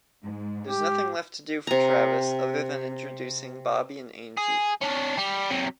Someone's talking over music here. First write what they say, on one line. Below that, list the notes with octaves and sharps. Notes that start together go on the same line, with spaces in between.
There’s nothing left to do for Travis other than introducing Bobby and Angie.
G#2
G4
C3 A#5
G#4
C#4 D4
G3
C3 F#3